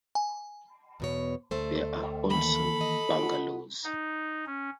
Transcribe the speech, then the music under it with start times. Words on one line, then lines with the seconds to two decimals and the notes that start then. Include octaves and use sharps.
There are also bungalows.
0.15 G#5
1.00 E2 B2 C#5
1.51 D2 A3 C5
2.30 D#3 E3 A#3 A4 B5
2.81 D#5
3.19 F4 F#5
3.84 D#4
4.47 C#4